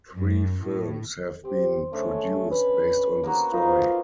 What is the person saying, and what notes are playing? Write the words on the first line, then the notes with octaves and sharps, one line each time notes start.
Three films have been produced based on the story.
F#2
A2
C4 G4
C#3 A3 C#4 D4
B4
A#3 B3 F#4
C4 D#4 F4